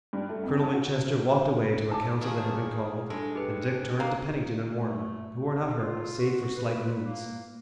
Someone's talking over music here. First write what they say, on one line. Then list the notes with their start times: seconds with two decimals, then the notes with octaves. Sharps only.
Colonel Winchester walked away to a council that had been called, and Dick turned to Pennington and Warner, who were not hurt, save for slight wounds.
0.13 G2
0.29 A3
0.44 F2
0.59 A5
0.74 F#4
1.91 A5 D6
2.21 D#3 F3 G#4
3.10 G2 G#3 A4
3.35 G4 B4
4.00 A#3
4.76 A3
5.50 C3
5.77 F4
6.19 F#4
6.57 B4
7.04 A#3